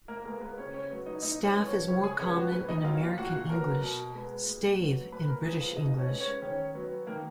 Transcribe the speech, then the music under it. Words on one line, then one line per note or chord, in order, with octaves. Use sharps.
"Staff" is more common in American English, "stave" in British English.
A#3 A#4
G#3 A#3 B3 A#4
B3 B4
C#3 C#4 C#5
C#4 C#5
F#3 B3
D#4 D#5
A#2 D#4 D#5
C#4 C#5
F3 G#3 B3
C#4 C#5
C#3 C#4 C#5
G#4 G#5
G#3 B3 C#4 C#5
F#4
A#2 B3 B4
D#4 D#5
F#3 A#3 F4 F5
F4 F5
A#2 F#4 F#5
F#3 B3 A#4 A#5
B2
G#3 B3
A#2
F#3 B3
A#2 B4 B5
A#4 A#5
F3 B3 G#4 G#5
F4 F5
B2 D#4 D#5
C#4 C#5
G#3 B3
C#4 C#5
D#3 C#4 C#5
F#3 B3
D#3 A#3 A#4